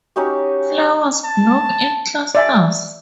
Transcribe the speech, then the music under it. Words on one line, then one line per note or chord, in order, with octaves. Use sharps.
Flowers bloom in clusters.
C#4 D#4 F#4 G4
A5
D5 E5 G#5